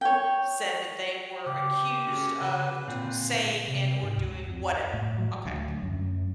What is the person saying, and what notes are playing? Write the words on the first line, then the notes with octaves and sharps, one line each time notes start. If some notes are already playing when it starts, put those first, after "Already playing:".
said that they were accused of d saying and/or doing whatever, okay,
C#5 G5
C#3 G4
C#4 F#4 G#4
C#3 B4
A#2 D3 C4
C3
G#2
C#2
F2
A2
F#3
D2
F#2